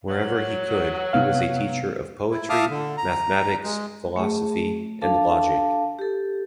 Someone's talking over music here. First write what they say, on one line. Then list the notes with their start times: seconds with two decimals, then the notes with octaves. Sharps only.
Wherever he could he was a teacher of Poetry, Mathematics, Philosophy and Logic.
0.09 F#3
1.13 C3 B3 F5
2.30 E4
2.50 E5 F5 A5 D6 D#6 F6
2.70 D3
2.98 A#5
3.64 G#3
4.16 A3 G#4
5.01 D4 A4 F5 A5
5.99 G4 A4